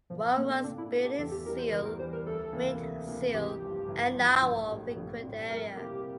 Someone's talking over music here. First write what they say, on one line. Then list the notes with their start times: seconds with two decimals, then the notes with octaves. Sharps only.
Walrus, bearded seal, ringed seal, and narwhal frequent the area.
0.10 A#2 F3
0.37 A3 A#3 D4 A4
0.50 C4
0.64 A#2 D4
0.78 E4
0.91 A3 D4 A4
1.04 G4
1.18 E2 A4
1.32 G4
1.45 E3 A#4
1.48 G3
1.58 C5
1.72 E2 A#4
1.85 A#4
1.99 E3 G3 C5
2.13 A#4
2.26 D2 A4
2.53 C3 E3 A#3
2.80 D2
3.07 C3 E3 A#3
3.34 A1 G4
3.61 G2 F3
3.88 A1
4.15 G2 F3
4.42 A#1
4.68 A2 G3 C4
4.96 A#1
5.23 A2 G3 C4
5.50 F2 A#4
5.77 C3 G3 A#3 E4 G4